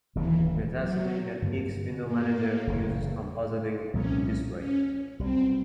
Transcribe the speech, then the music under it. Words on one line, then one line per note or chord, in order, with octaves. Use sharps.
Metacity, an X window manager uses compositing in this way.
E1 D#2 C#3 E3 F#3
F#3
G2 D3 F#3 A#3
A#3
F#1 E2 C#3
C2 A#2 F3 A#3 C#4
C#4
B1 B2 G3 C4